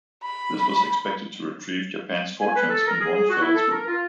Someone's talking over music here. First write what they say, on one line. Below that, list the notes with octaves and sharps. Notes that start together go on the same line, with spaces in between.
This was expected to retrieve Japan's fortunes in one fell swoop.
B5
G#5
B4
A4
A#4
G#4
G#4
F#4
E4
A4
A#4
F4